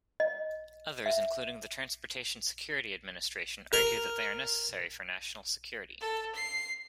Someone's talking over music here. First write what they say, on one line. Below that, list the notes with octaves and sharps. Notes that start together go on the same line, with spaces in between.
Others, including the Transportation Security Administration, argue that they are necessary for national security.
D#5
E5
A#4
A4
C7